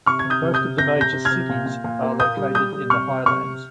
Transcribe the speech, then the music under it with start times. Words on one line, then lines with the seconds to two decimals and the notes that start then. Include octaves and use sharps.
Most of the major cities are located in the Highlands.
0.06 C3 C#6 F6
0.19 G#6
0.25 C3
0.30 D#6 G6
0.42 C3
0.54 D#6 G6
0.61 C3
0.78 C3 G6 A#6
0.96 C3 G6 A#6
1.13 C3
1.25 F6 G#6
1.31 C3
1.49 A#2
1.66 A#2
1.84 A#2
2.02 A#3
2.19 A#2 D#6 G6
2.37 G3
2.55 G3 D#6 G6
2.73 G3
2.90 C3 C#6 F6
3.08 C3
3.25 C3 C#6 F6
3.43 C3